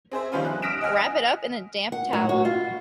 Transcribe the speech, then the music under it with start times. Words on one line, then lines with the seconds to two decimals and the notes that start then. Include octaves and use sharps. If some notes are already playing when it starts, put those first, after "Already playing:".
Wrap it up in a damp towel.
0.11 C4 G#4 C5 E5
0.32 D#3 F3 G3 B3 C#4 F4
0.45 F#6
0.62 D#6 F6 A#6 B6 D7 E7
0.81 D#5 F#5 G#5 F6
1.92 F#5
2.13 A2
2.29 F#4
2.45 F4